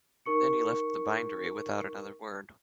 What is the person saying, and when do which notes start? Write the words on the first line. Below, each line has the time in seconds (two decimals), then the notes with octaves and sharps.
Then he left the bindery without another word.
0.26 D#4 A#4 C#6 C#7